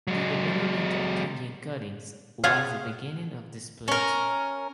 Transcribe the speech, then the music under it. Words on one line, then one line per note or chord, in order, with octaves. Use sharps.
The development of kanji encodings was the beginning of the split.
F#3 G#3
F4 G#4 C#5 F5 F#5
C#4 A#4